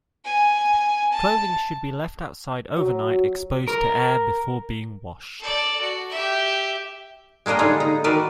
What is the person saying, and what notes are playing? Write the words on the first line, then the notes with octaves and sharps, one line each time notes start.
Clothing should be left outside overnight, exposed to air before being washed.
G#5
A5
F#3
A#4
A4 D5
F#4
G4 E5
G#3 A#3 D4 A#4 D#5
D3 G3 G#3 D#4 F4 G#4
D#4
D#3 F#4 A#4 B4 D5